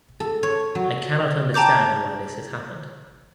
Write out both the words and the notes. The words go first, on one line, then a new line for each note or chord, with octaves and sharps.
I cannot understand why this has happened.
A4
C#5
F#3
G5 A5 A#5 D6 G6